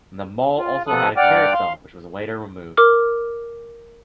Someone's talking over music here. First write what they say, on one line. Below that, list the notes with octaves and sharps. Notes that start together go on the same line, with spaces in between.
The mall also had a carousel, which was later removed.
F4
C3 F3 B3 A4 D#6 F#6
G2 D5 F#5 G5 D6 F6
F5 C6
A#4 D6 F6